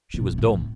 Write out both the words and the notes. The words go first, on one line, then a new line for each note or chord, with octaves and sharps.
'She was dumb.
B2
B2
A2